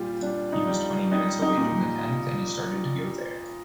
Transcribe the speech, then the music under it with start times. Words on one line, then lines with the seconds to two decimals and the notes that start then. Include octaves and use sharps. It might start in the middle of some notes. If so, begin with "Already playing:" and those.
He was twenty minutes away from the tent, and he started to go there.
Already playing: A#2 G3 F4 G4
0.21 G3 D4
0.52 D#4
0.67 G3
1.12 G3 D#4
1.42 D#4
1.57 A#2